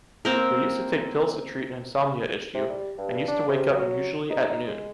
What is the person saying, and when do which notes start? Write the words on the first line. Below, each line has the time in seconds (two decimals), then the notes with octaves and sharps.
They used to take pills to treat an insomnia issue, and used to wake up usually at noon.
0.25 A#3 C4 A#4
2.54 C3
2.69 G3
2.98 G2
3.28 D4
3.48 C3
3.70 F#3
4.30 D#4
4.67 G#3